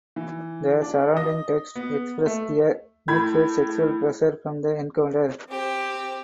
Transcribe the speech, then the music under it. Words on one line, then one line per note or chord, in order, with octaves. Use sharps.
The surrounding text express their mutual sexual pleasure from the encounter.
E3
D4
D#5
B3
A3
A2 B5 G#6
C4 G4